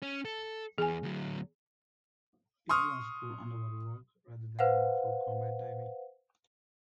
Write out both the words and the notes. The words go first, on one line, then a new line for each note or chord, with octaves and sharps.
It was for underwater work rather than for combat diving.
C#4
A4
E2 G#4 G#5
D2 F#3
C6 C#6 D#6 F6
B4 C5 F5 F#5